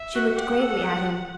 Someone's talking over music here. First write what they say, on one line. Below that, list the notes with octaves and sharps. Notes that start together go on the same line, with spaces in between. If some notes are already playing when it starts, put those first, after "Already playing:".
She looked gravely at him.
Already playing: E5
F#4
G4 F#5
A4
G4